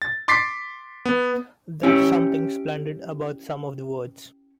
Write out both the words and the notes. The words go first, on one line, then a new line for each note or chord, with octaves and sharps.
There’s something splendid about some of the words.
A6
C6 D6 A6 B6 C7
B3
C#4 E4 G4 C#5